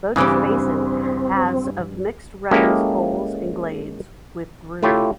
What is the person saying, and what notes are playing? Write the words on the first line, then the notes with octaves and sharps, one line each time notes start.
Bogus Basin has of mixed runs, bowls, and glades, with groomed.
G2 C#3 E3 C4 D4 G4
G#3 A#3 C#4 E4 G4 A4
A3 E4 F4 G4 C#5